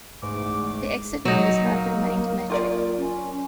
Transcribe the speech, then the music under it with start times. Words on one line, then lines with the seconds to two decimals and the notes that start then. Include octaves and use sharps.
The exit numbers have remained metric.
0.23 E2 G#2 A3 D6
1.25 F#3 D#4
1.61 A#3
2.50 F4 A#4 D5
2.97 C#4